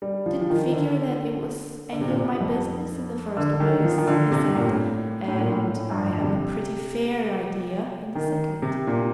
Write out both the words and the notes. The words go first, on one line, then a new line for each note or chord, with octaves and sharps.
"Didn't figure that it was any of my business in the first place," he said, "and I have a pretty fair idea, in the second."
G3
F3
F3
D#3
D3
D3
C3
A#2
C3
F2
D3
D3
D#3
F3
D#3
D3
C3
G2
A#2
A2
A2
A#2
A2
A2
G2
F2
D3
C3
D#3
C3
A#2